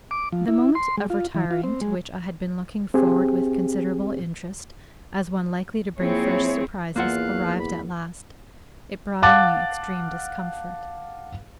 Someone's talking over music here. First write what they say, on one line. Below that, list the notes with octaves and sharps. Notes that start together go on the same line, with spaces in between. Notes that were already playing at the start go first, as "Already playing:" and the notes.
The moment of retiring, to which I had been looking forward with considerable interest as one likely to bring fresh surprises, arrived at last: it brought only extreme discomfort.
D6
F3
E4
C6
G#3
F4
E3
F4
C4
G#3
C4 G4 G#4
F3 A#3 C4 E4 G#4 C#5
E2 A#3 F4 F5 F#5 F#6
B5
F5 F#5 A5 D6 F#6 A6